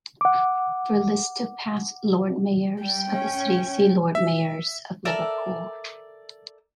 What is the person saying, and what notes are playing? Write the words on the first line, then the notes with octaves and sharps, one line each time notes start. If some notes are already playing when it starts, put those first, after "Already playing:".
For list of past Lord Mayors of the city see Lord Mayors of Liverpool.
F#5 D6
G3 G5
C#4
E5
A4 A#4 D5 E5